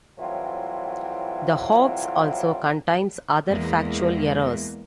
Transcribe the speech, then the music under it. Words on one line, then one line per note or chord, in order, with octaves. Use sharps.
The hoax also contains other factual errors.
A2 E3 F#3 G3 C4 F4
E2 E3 G#3 A#3